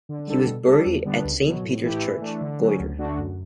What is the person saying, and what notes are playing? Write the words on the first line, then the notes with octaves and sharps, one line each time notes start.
He was buried at Saint Peter's Church, Goytre.
D3
G3 D4 A4
B2
G3 D4 A4
E2
D3 G3 B3 D4
C#2
B2 F#3
A2
E3 A3 E4 G4
E3
A3 D4
D3
F#3
C#4
D2
D3 A3 D4 F#4
F#2